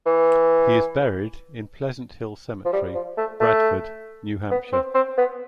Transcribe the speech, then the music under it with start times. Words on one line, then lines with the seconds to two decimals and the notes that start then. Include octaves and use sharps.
He is buried in Pleasant Hill Cemetery, Bradford, New Hampshire.
0.06 E3
2.65 F3
2.73 G3
2.95 F3
3.17 A3
3.40 A3
4.51 B3
4.73 C4
4.95 C4
5.18 B3